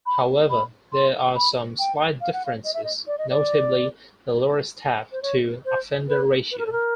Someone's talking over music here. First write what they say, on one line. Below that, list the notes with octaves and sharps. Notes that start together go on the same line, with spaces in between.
However, there are some slight differences, notably the lower staff to offender ratio.
B5
B5
C6
B5
G5
F5
F#5
F5
D#5
E5
D#5
D5
D#5
D5
C5
C#5
C5
B4
B4
A#4
A4
A#4